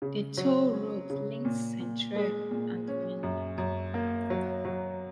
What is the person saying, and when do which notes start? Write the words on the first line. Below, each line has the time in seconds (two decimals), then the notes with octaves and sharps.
A toll road links Centrair and the mainland.
0.02 C#3
0.38 F#3
0.73 C#4
1.10 C#3
1.45 A#2
1.80 A#2
2.16 G#3
2.51 A#2
2.88 C#4
3.23 F#2
3.58 F#2
3.94 A#3
4.30 F#3
4.65 F#3